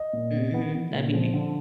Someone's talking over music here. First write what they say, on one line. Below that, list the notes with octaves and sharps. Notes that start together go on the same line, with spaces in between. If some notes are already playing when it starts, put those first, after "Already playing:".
Mhm. That'd be me.
Already playing: D#5
A#2
B3
B3
B3
A#2
F3
D3